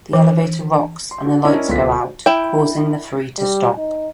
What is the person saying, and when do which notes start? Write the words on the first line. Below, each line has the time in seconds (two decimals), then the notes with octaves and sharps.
The elevator rocks and the lights go out, causing the three to stop.
0.13 E3
1.11 C6
1.25 D3 F#4
1.45 C#4 D4 E4 A#4 D#5
1.68 D1 B3 F4 A4 B6
2.26 E4 G5
3.38 G3
3.77 D#4